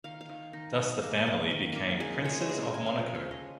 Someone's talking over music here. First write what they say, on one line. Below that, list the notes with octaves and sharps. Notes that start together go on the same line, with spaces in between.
Thus the family became Princes of Monaco.
D#3 F5
F5
D#3
D#3 D#4
D#3
A#3
A#3
D#3
A#3
G#3 G#4
G#3 C#5
D#5
C#5
C#3 G#4
A#4
G#3 G#5
F5
F3 F5
C#5
G#3
D#5